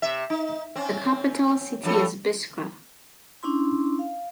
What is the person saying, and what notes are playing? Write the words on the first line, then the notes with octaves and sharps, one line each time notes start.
The capital city is Biskra.
C3 E5
D#4
C4 C#4
G2 F3 A4
C#4 D4 E4 C6
F5